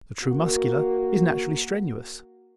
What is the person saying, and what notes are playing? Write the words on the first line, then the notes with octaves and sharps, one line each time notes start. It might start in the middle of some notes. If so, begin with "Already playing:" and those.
The true Muscular is naturally strenuous.
A#3 F#4